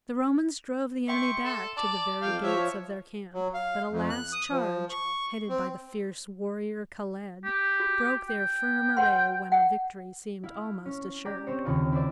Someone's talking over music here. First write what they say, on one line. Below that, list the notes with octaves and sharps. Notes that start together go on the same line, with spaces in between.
The Romans drove the enemy back to the very gates of their camp, but a last charge, headed by the fierce warrior Khaled, broke their firm array when a victory seemed almost assured.
E5 G5 C6 C#6
C6
A4
D5 A5 D6
F2 F5 G5
F3 C#5 E5
F#3
F5
F2
F#6
D#6
F3
C#6
C4
G4
F#4
G5
B4 F#5 C6
F#5
E4 F5
C#4
G4 D5 A#5 D7
C4 C5 C#5
D#2 C#3 F4
E4 C5 D5 E5